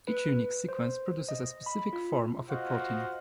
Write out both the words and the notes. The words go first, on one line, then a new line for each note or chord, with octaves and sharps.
Each unique sequence produces a specific form of a protein.
B4
C5
D#5
B5
F4
F4 F#4 C5 D#5 F5 F#5